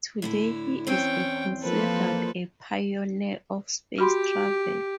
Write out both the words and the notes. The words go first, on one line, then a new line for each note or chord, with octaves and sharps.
Today he is considered a pioneer of space travel.
A2 D3 E4
E2 C4 C#4 G5
F3 A#3 A4 B4 C5
F#4 G4 B5 C6